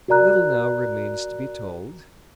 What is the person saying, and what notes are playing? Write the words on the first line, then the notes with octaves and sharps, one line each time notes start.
Little now remains to be told.
F#4 A#4 D5 A#5 F#6